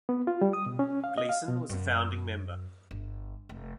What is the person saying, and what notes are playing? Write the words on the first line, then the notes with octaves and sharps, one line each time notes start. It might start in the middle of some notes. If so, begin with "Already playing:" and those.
Gleason was a founding member.
B3
F4
G3
D#6
B2
C#4
F5
D#5
F5
B2
F#2
G1
F1